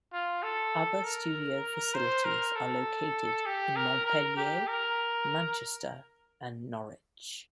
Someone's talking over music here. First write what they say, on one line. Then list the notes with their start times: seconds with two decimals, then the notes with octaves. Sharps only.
Other studio facilities are located in Montpelier, Manchester and Norwich.
0.13 F4
0.43 A4
1.03 A#4
1.94 C5
2.25 A#4
2.55 A4
3.46 G4
3.76 A#4
4.06 A#4
4.36 G4
4.67 A#4